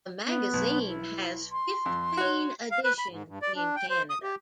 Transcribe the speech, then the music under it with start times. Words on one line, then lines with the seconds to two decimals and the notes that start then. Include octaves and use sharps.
The magazine has fifteen editions in Canada.
0.25 B3
0.53 B1
0.88 E4
1.52 C6
1.86 F2
2.17 F#4 C#5
2.71 F5
2.84 B4
2.98 B5
3.11 G#2
3.28 G2
3.42 D5
3.56 D4
3.76 G5
3.90 C5
4.10 D#6
4.23 G4